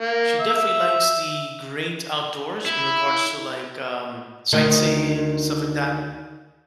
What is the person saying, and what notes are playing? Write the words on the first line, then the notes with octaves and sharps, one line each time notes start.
she definitely likes the great outdoors in regards to, like, um, sightseeing, stuff like that.
A#3
E5
E4
D2 D#3 D#5